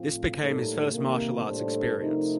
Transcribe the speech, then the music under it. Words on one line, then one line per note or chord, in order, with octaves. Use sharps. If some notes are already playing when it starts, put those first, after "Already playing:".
This became his first martial arts experience.
Already playing: A2 F3 C4 F4
A2 G3 A#3 D#4 A4
C3 D#3 A#3
A2 G3 D4 A4 C5
C3 F3 A3 D#4 A#4